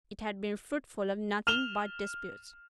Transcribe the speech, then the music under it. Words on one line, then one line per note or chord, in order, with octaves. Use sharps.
It had been fruitful of nothing but disputes.
F6 E7 F7 G7